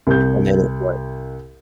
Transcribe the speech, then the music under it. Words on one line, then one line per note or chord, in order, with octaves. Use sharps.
and then it was
C2 G6